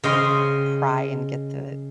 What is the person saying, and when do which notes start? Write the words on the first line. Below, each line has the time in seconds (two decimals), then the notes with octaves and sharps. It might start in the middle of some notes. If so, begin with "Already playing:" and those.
pry and get the
0.04 C#3 D#5 G5 C6